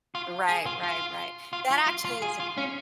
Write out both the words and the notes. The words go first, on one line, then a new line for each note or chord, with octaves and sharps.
Right, right, right. That actually is a
F4
G#4
F4
F4
F4
F4
F4
F4
G#4
F4
C#4